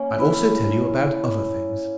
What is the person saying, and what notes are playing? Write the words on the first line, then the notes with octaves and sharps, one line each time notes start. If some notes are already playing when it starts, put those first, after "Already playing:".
I also tell you about other things.
Already playing: A#3 C#4
E4